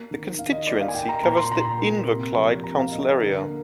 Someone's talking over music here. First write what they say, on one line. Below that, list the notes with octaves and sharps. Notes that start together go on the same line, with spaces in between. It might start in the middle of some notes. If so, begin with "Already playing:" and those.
The constituency covers the Inverclyde council area.
Already playing: A#3
D#3
D#3 F5
D#5
A#3 D5
F5
G#5
A#3 G5
A#5
A#2 A#5
C6
A#2 A#5
A#3
C3
F3
C3 A#5
F5
A#3 D#5
A#4
D3 A#4
A#4
A#3